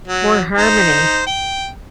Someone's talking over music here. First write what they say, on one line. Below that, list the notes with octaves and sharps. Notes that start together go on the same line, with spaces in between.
more harmony.
F#3
D#4 C5
G5